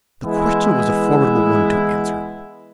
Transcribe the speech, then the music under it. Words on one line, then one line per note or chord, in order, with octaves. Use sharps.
The question was a formidable one to answer.
E3 G#3 B3 E4